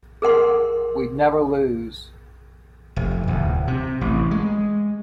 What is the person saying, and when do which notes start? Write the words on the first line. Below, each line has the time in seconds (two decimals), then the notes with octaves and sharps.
We'd never lose.
0.22 G#4 A#4 F#5 C6
2.96 F1
3.28 D1
3.67 C3
4.01 A1
4.31 G#3